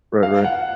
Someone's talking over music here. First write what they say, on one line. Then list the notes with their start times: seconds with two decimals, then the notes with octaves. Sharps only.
Right, right.
0.23 F5
0.44 F#5